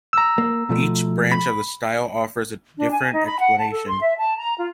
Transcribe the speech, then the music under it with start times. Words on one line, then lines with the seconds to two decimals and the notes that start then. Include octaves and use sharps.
Each branch of the style offers a different explanation.
0.13 A#5 E6
0.38 A#3
0.69 B2 F3 A3
1.32 B5
2.77 D4
2.91 G#5
3.12 D#4
3.26 B5
3.40 F#5
3.58 A5
3.72 A4
3.88 C6
4.01 E5
4.18 A5
4.37 A#5
4.58 F4